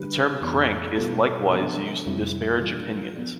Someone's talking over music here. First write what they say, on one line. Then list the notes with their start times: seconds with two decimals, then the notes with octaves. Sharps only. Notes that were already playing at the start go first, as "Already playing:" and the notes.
The term crank is likewise used to disparage opinions.
Already playing: D3 G3 D4 G4 B4
0.41 F2 E3 B3 D4
0.96 B2 G3 B3 F4 A4
1.51 C3 F3 B3 D4 A4
2.06 F2 C3 G3 C4 E4
2.61 E3 G3 D4 F4
3.16 F3 B3 D4